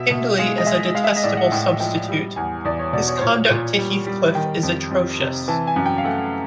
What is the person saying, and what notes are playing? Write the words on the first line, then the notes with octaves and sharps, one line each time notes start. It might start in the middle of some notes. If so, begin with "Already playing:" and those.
Hindley is a detestable substitute — his conduct to Heathcliff is atrocious.
Already playing: B2 E5
B2
G#3 F5
D#5
G#3 E5
G#3 F5
E5
F5
D#5
A2 D5
F#5
A2 G5
F3 G5
G3
E2 G#5
E2 D5
C#5
B2 D5
C#5
C5
A#2 C#5
A#2
G3
G3
D#3 G5
F2
F2
C3
E3 A5
G#5
F#2
G5
F5
A3 F#5